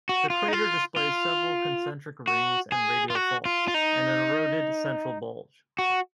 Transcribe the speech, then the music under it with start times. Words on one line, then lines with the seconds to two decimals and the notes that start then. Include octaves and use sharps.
The crater displays several concentric rings and radial faults, and an eroded central bulge.
0.09 F#4
0.30 F4
0.48 D#4
0.53 F4
0.96 F4
2.28 F#4
2.72 G#4
3.10 F4
3.15 F#4
3.45 F4
3.68 F4
3.74 D#4
5.79 F#4